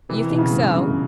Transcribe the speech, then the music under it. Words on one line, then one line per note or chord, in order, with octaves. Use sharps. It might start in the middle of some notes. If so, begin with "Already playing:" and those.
"You think so?"
C3 E3
B2
C#3
G2
C#3
F#2